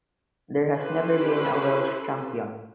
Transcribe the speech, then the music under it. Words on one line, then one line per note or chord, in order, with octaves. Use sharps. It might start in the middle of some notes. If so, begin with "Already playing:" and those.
There has never been a Welsh champion.
C#4 E4 G4 A4 B4 C5